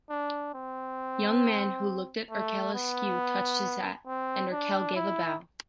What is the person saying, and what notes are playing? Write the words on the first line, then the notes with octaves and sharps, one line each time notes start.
Young man who looked at Erkel askew touched his hat, and Erkel gave a bow.
D4
C4
A3
B3
C4
D4
E4